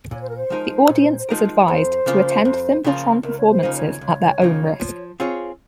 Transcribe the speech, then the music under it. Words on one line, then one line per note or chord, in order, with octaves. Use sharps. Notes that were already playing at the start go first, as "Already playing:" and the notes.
The audience is advised to attend Thimbletron performances at their own risk.
A#2 C#5
C5
A#4
C5
F3 G#3 D#4 A#4
A#2
F3 G#3 D#4 A#4
C#5
F2 C5
C#3 F3 A#3 F4
F2
C#3 F3 A#3 F4
C#2 A#4
C#5
C5
C#3 F3 A#3 D#4
C#5
C#2
C#3 F3 A#3 D#4
F3
C4 F4 G#4 C#5